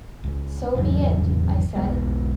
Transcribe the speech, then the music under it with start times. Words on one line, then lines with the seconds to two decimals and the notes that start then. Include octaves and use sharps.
"So be it," I said.
0.23 C#2
0.75 G#1 E2 C#3 F#3
1.75 B1 G#3 B3